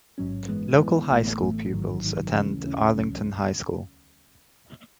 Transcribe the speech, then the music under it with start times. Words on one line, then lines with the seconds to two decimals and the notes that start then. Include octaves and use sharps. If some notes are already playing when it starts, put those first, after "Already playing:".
Local high school pupils attend Arlington High School.
0.18 A1 G#2 F#3 C#4
0.48 F#2 E3 G#3 B3
0.79 F#2 E3 G#3 B3
1.10 A1 A2 E3 A3
1.40 A1 A2 E3 A3
1.71 A1 G#2 D#3 F#3
2.03 A1 G#2 D#3 F#3
2.33 D#2 C#3 E3 A3 C#4
2.64 D#2 C#3 E3 A3 C#4
2.95 C#2 C#3 F#3 C#4